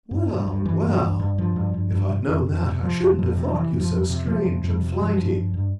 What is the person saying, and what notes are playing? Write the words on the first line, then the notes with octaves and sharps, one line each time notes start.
Well, well; if I'd known that, I shouldn't have thought you so strange and flighty.
G2
G2
G2
G2 E3
G2
G2
G2
G2 F3
G2
G2
G2
C3
F2
F2
C3
C3 F3
F2
F2
C3
F3
C3 E3
F2
F3
F2
C3
C3 F3
F2
F2
C3
G2 F3
G2
G2
G2